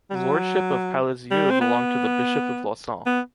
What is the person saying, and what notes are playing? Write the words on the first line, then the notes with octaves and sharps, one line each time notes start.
The lordship of Palézieux belonged to the Bishop of Lausanne.
G3
F#3
G3
C4
B3
B3